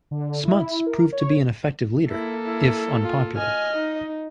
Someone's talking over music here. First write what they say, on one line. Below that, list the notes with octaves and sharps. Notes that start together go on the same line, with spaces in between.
Smuts proved to be an effective leader, if unpopular.
D3
E4
A#4
C#5
A#3 E4 A4
E4
F4
D#5 G#5 F6
D#4